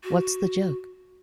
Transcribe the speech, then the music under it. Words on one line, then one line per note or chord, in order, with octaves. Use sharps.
What's the joke?
F#4